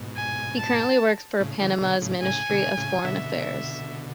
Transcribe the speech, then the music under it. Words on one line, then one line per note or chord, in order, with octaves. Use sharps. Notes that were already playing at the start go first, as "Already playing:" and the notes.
He currently works for Panama's Ministry of Foreign Affairs.
Already playing: G#2 B2
G#5
A5
A2 C#3
C#3 E3
B2 D3
A2 C#3
A2 C#3 G#5
B2 D3
A2 C#3
B2 D3 E5